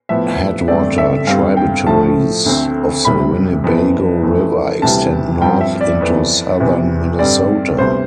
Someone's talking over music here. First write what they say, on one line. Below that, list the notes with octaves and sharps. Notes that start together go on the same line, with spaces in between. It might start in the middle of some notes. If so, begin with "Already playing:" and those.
Headwater tributaries of the Winnebago River extend north into southern Minnesota.
A2 F3 B3 E5
G2 D3 A3 C4 D5
E5
G2 D3 G3 C4 F5
G5
A2 F3 A3 A5
D2 D3 A3 C4
C2 C3 G3 B5
F2 E3 B3
F2 E3 A3
D2 C3 E3 G3 A5
G2 F3 C4 G5
E5
D5
F2 E3 B3
E2 C3 E3 B3
G2 D3 G3 C4 D5
D2 C3 G3 B3 C5